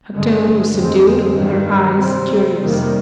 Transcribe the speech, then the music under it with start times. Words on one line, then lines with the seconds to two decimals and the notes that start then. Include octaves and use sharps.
Her tone was subdued, her eyes curious.
0.13 G2 D3 G#3
0.74 F2 D3 G#3 C4
1.36 G2 D#3 G3
1.97 C3 G3 C4
2.58 F2 C3 D#3 G3 A#3